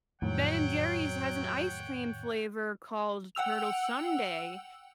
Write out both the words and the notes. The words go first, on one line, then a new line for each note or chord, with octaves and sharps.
Ben& Jerry's has an ice cream flavor called Turtle Sundae.
F2 A2 D#3 F#3 C#5 F#5 G5
F#5 G5 E6 F7